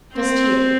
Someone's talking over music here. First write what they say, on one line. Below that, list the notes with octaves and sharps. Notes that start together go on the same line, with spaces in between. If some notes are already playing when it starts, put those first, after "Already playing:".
Just here.
C4